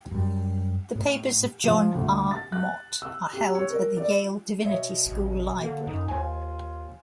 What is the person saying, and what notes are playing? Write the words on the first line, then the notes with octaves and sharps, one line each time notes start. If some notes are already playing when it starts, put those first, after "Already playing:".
The papers of John R. Mott are held at the Yale Divinity School Library.
F#2 G3
A2
F3
D2
A6
F#6
E6
G4
C#5
A#4
D5
B2 C#5 D#5 E5
A1
D3 A#3
F#2 D#4
D#2 F4 C5 G#5